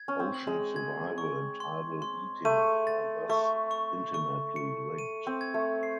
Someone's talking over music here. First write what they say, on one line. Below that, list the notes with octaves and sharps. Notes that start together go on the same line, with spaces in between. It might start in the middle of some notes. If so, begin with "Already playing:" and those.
Ocean survival and tidal heating are thus intimately linked.
Already playing: G#6
C#4
C4
F#7
G#3
G#6
C#6
C6
C6
A3 D#7
A6
A3 C#6
C#6
C#6
C#7
D#7
C4
G#6
A3
C7